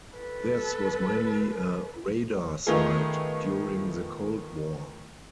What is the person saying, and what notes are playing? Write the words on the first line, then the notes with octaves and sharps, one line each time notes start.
This was mainly a radar site during the Cold War.
A4 B4
D#3 A3 B3 F4 G#4